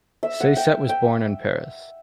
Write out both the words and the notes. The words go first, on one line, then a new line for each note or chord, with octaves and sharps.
Saiset was born in Paris.
E5
F#5
G5
G5